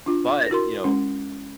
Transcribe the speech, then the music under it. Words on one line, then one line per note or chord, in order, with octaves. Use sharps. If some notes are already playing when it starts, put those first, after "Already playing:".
but, you know,
D4 F4
E4 F#4 A#4 C6
G#3 C#4